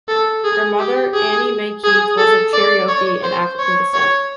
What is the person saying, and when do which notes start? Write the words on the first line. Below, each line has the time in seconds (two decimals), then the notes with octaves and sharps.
Her mother Annie Mae Keith was of Cherokee and African descent.
0.08 A4
0.44 G#4
0.79 G4
1.14 G#4
1.84 G#4
2.18 A4
2.53 D5
2.88 C#5
3.23 C5
3.59 C#5
3.94 C#5